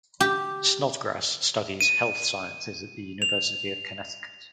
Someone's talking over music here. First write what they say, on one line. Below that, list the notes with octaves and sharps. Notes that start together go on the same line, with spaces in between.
Snodgrass studies health sciences at the University of Connecticut.
G4
D#7
F7